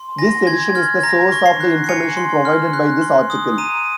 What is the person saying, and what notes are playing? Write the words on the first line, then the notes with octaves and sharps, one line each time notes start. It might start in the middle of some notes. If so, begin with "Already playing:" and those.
This edition is the source of the information provided by this article.
Already playing: C6
G#5 A#6
C6 G#6
F6 G#6
A#5 A#6
C#6
C7
F#6
C7
G#5 C#7
C6
F6
F#6
C6
D#6
A#5 D#7